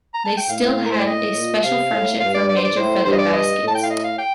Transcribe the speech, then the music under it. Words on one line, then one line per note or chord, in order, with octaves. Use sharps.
They still had a special friendship for major feather baskets.
A#5
A5
G5
A2 F5
A#4
C5
D5
D#5
A#2
C3 F5
A2
G2 F5
D5
D5
C5
D5
A2 C5
G2 C5
D#5
D5
D#5
A2
A5
G5
F5
D#5
F5
G5